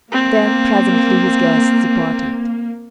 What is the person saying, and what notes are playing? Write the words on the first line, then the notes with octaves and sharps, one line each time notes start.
Then presently his guests departed.
A#3 C4